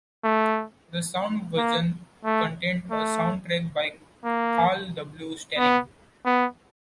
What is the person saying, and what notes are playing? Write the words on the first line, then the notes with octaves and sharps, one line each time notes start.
The sound version contained a soundtrack by Carl W. Stalling.
A3
A#3
A3
A3
A#3
B3
B3